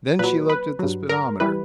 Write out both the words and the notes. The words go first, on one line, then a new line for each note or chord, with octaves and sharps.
Then she looked at the speedometer.
A#2 F#3 B4
B4
G2 F#3
A#4
E3 G3 B4